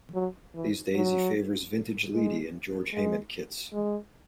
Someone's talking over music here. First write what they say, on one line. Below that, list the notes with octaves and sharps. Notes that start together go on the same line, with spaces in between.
These days he favours vintage Leedy and George Hayman kits.
F#3
E3
F#3
G#3
G#3
G#3